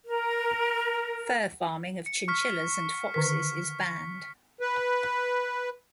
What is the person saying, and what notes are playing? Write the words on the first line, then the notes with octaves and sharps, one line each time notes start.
Fur farming of chinchillas and foxes is banned.
A#4
C#7
C#6 F6 B6
D3 D#3 A#4 B6
B4